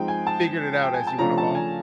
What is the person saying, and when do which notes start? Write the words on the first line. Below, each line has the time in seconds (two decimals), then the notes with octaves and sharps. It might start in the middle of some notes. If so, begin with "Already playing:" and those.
figured it out as you went along?
Already playing: F3 G#3 C4 D#4 G5
0.08 G#5
0.27 A5
0.82 G5
0.94 G#5
1.07 A5
1.18 C#3 F3 A3 D4 F4 A#5
1.38 A5
1.55 G#5